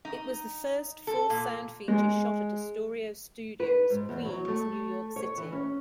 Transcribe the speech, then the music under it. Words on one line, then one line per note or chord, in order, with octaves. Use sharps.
It was the first full-sound feature shot at Astoria Studios, Queens, New York City.
D#4
A4
A#2
G#3
B4
G#2
E2
F#3
A3
C#5
E3
C#4